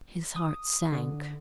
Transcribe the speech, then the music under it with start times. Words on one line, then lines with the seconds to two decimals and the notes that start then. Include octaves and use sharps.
His heart sank.
0.36 D#6
0.92 D3